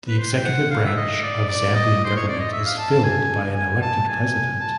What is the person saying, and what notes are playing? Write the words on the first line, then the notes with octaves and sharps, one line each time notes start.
The executive branch of Zambian government is filled by an elected president.
B4
C5
G5
F#5
F5
E5
D#5
D5
D5
D#5
C5
C#5
D5
D#5
E5
F5
A5
A5
G#5
G#5
A5
G#5
A5